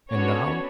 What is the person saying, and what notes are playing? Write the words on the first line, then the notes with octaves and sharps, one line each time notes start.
"And now?"
B3 C#4 D4 F#4 A4 C#5